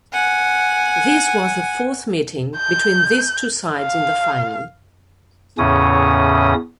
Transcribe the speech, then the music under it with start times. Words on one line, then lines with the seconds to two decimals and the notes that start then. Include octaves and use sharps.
This was the fourth meeting between these two sides in the final.
0.13 F#5 G#5
2.57 G6
3.78 F5
5.58 E2 A2 C#3 C#4 D#6